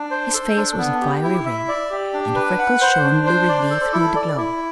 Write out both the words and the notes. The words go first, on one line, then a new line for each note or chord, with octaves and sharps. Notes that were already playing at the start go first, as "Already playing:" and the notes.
His face was a fiery red, and the freckles shone luridly through the glow.
Already playing: D4
C5
A4
D4
B3
G4
E4
E5
D5
G4
D4
B4
F#5
C5
D4
C5
D5
A4
E4
D5
E4